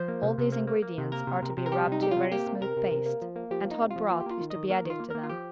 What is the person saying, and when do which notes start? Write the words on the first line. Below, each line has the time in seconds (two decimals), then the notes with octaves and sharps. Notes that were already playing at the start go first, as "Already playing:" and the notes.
All these ingredients are to be rubbed to a very smooth paste and hot broth is to be added to them.
Already playing: F3 C5
0.08 A#3
0.23 C3
0.38 C3
0.52 A#3
0.67 A#3
0.82 A#3
0.98 C3
1.12 A#3 A#4
1.27 C3
1.42 C3
1.57 C3
1.66 A#4
1.72 G3 G4
1.87 C3 D#4
2.01 G3 G4
2.11 F4
2.16 C3
2.32 A#3 G4
2.46 C3
2.61 C3 A#4
2.77 C3
2.91 C3
3.06 A#3
3.22 F3
3.36 A#3
3.51 F3 G4
3.65 A#3
3.71 D#4
3.80 C3
3.90 F4
3.96 F3
4.11 A#3 F4
4.20 G4
4.26 A#3 F4
4.40 D#3
4.50 D#5
4.56 D#3
4.70 A#3 A#4
4.85 D#3 F4
5.00 A#3
5.10 A#3 A#4
5.23 F4
5.29 F3 G4